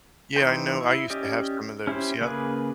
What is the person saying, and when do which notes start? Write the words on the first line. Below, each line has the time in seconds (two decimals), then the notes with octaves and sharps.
Yeah, I know, I used to have some of those, yup.
0.36 E3 D#4 C5 G5
0.81 E4
1.10 C#4 G4 D5 D#5
1.87 C#4 E4 G4 C5
2.21 C#3 A#3 G#4 B4 G#5